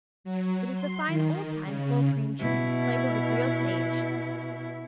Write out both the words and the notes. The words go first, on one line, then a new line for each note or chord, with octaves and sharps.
It is the fine old-time full cream cheese, flavored with real sage.
F#3
C6
D#3
C#3
B2 E4